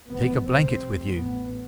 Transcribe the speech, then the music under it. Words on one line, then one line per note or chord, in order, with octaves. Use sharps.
"Take a blanket with you."
F1 E2 C3 B3
C2 C3 C4
F1 F2 C3
A1 A2 B3